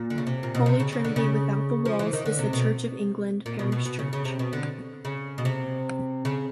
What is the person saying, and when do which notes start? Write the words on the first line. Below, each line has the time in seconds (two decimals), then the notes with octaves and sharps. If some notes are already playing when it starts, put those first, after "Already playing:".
Holy Trinity-Without-The-Walls is the Church of England parish church.
Already playing: A#2
0.10 D3
0.18 C#3
0.27 C3
0.43 A#2
0.55 B2
0.66 C3
0.80 C#3
0.92 C#3
1.04 D3
1.16 C#3
1.85 F3
1.99 E3
2.13 D#3
2.26 D3
2.39 C3
2.53 B2
3.46 A#2
3.59 B2
3.72 B2
3.85 B2
3.99 C#3
4.13 C#3
4.25 C3
4.39 B2
4.53 D3
5.05 C#3
5.38 B2
5.45 C3
6.25 C#3